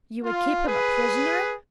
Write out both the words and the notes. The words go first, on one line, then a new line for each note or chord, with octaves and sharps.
"You would keep him a prisoner?"
F4
G#4 B4